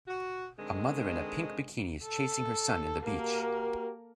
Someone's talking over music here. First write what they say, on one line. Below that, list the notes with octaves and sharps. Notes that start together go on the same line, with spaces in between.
A mother in a pink bikini is chasing her son in the beach.
F#4
D3 D#3 G#3 C4
A4
A#3 F#4 G4 A#4